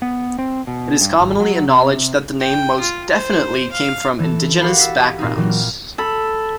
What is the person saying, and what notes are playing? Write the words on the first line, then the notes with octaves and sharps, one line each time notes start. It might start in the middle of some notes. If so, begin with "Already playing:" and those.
It is commonly acknowledged, that the name most definitely came from indigenous backgrounds.
B3
C4
B2
G2
G#1
F#3
C3
G5
F4
C5
F5
E3 A4
F#4 G4 A#4 F5 F#5 B5
E6 A6 B6 C7
A#2 C4 D#4
A#2 E3 F#3
F6
A4 B5